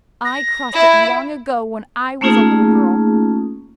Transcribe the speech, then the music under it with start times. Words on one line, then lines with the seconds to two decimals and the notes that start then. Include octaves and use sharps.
I crossed it long ago when I was a little girl.
0.25 A#6
0.74 E4
2.21 A3 A#3 C#4 D#4 F4 G#4